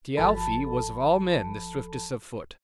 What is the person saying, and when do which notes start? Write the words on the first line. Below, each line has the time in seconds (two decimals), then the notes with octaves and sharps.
Thialfi was of all men the swiftest of foot.
0.17 G1 F3 A4 A5 B5